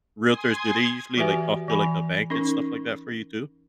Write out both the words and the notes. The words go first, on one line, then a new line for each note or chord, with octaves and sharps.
realtors, do they usually, like, talk to, like, the bank and stuff like that for you, too,
G#5 C6 D#6 G#6
E3 F#4 G4 B4 E5 G#5
E3 G#5 B5
C#4 D#4 A#4 C#6